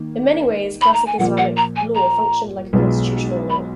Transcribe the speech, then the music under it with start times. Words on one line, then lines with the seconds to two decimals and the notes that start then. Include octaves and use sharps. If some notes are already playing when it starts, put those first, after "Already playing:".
In many ways, classical Islamic law functioned like a constitutional law.
Already playing: D#3 A#3
0.81 B5
0.94 A#5
1.07 G#5
1.19 A#2 F3 A#3 F#5
1.38 F#5
1.57 A#5
1.76 G#5
1.95 A#5
2.73 B1 B2 G#3 B3 F4
3.50 B5